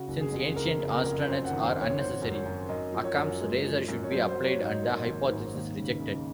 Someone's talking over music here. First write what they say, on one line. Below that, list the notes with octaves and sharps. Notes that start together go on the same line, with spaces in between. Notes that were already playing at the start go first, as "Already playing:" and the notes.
Since ancient astronauts are unnecessary, Occam's razor should be applied and the hypothesis rejected.
Already playing: C#3 F#4
F#1
G#4
F2
F#1 A#4
C#3
A#4
F2
F#2 C5
F#5
G#1
C5
G#1
C#5
G#1 C5
F#2
C#5
F#2
F#2 D#5
F3
C#5
F#2
G#3
F3
F#2
C#5
F#3 C5
C5
F#3
C#5
G#2
D#5
A#3
G#1
G#2
D#2
C#3
C#3